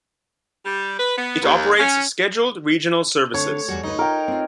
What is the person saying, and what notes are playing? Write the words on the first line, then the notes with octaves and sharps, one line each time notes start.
It operates scheduled regional services.
G3
B4
B3
D#2
C#4
D3 A3 C4 C#5
E2 G3 F#4
D2 D#4 B4
F4 A#4 G5
C4 F4